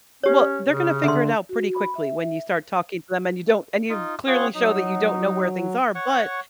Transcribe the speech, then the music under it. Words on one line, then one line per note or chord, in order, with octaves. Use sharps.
Well, they're gonna figure it out pretty quickly when you start talking to them, and you don't and you've clearly show that you don't know where things are, but,
C#4 G4 C#5
C#3
D3 E5 C6
F#4
B5
E5
D#4 F4
C4 F4 G#4 C#5 F#5
F#3 D#4
C#5 F#5 C#6